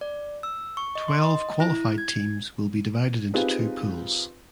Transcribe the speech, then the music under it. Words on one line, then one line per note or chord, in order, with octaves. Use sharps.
Twelve qualified teams will be divided into two pools.
D5
E6
C#6
D#5
C6
D#5
E4
G#6
C4 D#4 F4 G4 G#4 B4